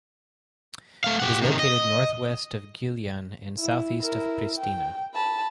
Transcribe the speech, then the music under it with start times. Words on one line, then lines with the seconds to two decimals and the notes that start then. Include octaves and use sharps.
It is located northwest of Gjilan and southeast of Pristina.
1.04 A3 F5
1.20 G4 F#5
1.42 C3 D#3
1.59 D#5
3.60 E4
4.02 E4 A#4
4.58 G5
5.15 A5 B5